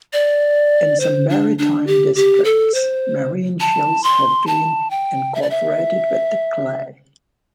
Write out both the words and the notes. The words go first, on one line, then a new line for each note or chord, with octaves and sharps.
In some maritime districts, marine shells have been incorporated with the clay.
D5
C5
D4
D4
G4
G4
A4
C5
A5
C6
A5
G5
E5
D5
E5